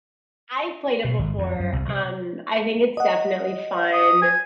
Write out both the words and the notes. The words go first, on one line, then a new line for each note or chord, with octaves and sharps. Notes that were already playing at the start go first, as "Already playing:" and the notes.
I've played it before, um, I think it's definitely fun.
B2
G#1
F2
F#2
C2
C3
D#5 F#5
D#6
G#5